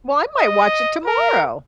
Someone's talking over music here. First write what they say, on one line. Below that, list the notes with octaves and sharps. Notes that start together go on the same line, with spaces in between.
Well, I might watch it tomorrow.
D#5
A#4